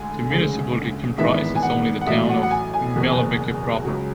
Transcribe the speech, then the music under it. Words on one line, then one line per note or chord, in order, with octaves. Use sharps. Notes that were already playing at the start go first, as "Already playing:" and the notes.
The municipality comprises only the town of Meulebeke proper.
Already playing: D2 D3 G#3 G#5
D2 C#3 G#3
G#1 G#2 E3 B3 E5
G#5
F#5
F#5
A1 A2 F#3 E5
F#5
F#5
G#5
G#5
F#1 E2 B2
C#2 C#3 F#3